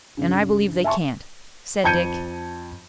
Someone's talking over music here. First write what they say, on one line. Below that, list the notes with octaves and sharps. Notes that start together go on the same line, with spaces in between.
"And I believe they can't," said Dick.
G2 C#3
E5 G#5 A5 C6 C#6
F2 A5 G6 G#6 C#7 D#7